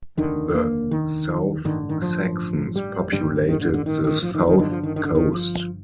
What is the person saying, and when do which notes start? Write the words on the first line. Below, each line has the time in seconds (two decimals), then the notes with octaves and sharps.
The South Saxons populated the south coast.
0.17 F1 D#2 D3 D#3
0.55 A#3
0.91 D#3
1.65 A1 G2 D3 D#3
1.89 D#3
2.02 F3
2.76 G3
3.12 A1 G2 D3 G3
3.49 D#3
3.61 D3
3.74 D3
3.86 D#3
4.04 D#3
4.22 F3
4.35 D#3
4.47 D#3
4.59 G1 G2 D3 D#3
4.71 F3
4.83 D#3
4.96 D#3
5.05 D3
5.15 D#3
5.33 F3